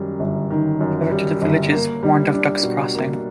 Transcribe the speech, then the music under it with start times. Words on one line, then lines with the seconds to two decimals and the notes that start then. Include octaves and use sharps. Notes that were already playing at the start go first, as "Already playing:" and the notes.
Traffic through the village is warned of "ducks crossing".
Already playing: F#2 D#3 G3
0.20 G1
0.50 D#3
0.81 F#2
1.11 G3
1.42 G1
1.72 A#3
2.03 G3
2.34 D4
2.63 B2
2.94 A#3